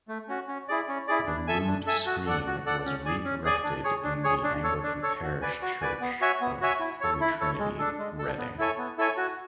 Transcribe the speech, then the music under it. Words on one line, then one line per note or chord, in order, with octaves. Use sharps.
The rood screen was re-erected in the Anglican parish church of Holy Trinity, Reading.
A3
C#4 F#4
C#4
E4 G#4 D5
C#4
E4 G#4 D5
D4
A4 E5 G#5
D4
A4 E5 G#5
F#4
A4 D5 F#5
F#4
A4 D5 F#5
C#4
G#4 D5 G#5
C#4
G#4 D5 G#5
D4
G#4 C#5
D4
G#4 C#5
D4
A4 C#5
D4
A4 C#5
F#4
B4 D5 G#5
F#4
B4 D5 G#5
B3
F#4 C#5 E5 G#5
B3
F#4 C#5 E5 G#5
E4
A4 C#5
E4
A4 C#5
G#3
D4 A4
G#3
D4 A4
B3
E4 A4 C#5 G#5
B3
E4 A4 C#5 G#5
F#4